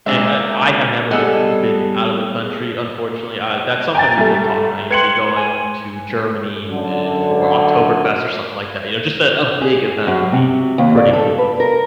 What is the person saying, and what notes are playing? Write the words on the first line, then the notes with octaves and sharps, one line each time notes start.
and, eh, I have never been out of the country, unfortunately. Uh, that's something we've been talking about, you know, maybe going to Germany, eh, for Oktoberfest or something like that, you know, just a a big event would be pretty cool,
A#2 G3 G#3 D4 D5 E5
G3 B3 G#4 A4 D#5
G5 G#5 A#5 A6
G3 A3
B4 G5 C6 G#6 C#7 F#7
G#5
F#2 D3
G#4
F#2
C3
D#2
D5
A4
B4
A#4